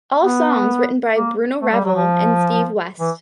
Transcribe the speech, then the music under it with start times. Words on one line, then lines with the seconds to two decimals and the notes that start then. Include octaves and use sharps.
All songs written by Bruno Ravel and Steve West.
0.24 B3
1.15 A#3
1.62 A3
1.72 G3
1.85 F#3
1.95 F3
3.00 E3